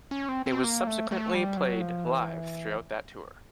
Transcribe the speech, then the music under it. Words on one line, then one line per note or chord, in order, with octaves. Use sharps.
It was subsequently played live throughout that tour.
C#4
C4
C4
A#3
A3
A3
G3
F#3
F3
E3